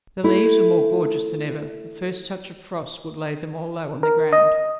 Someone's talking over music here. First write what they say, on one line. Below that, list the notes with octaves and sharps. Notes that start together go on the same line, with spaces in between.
The leaves were more gorgeous than ever; the first touch of frost would lay them all low on the ground.
A3 E4
A#4
D#5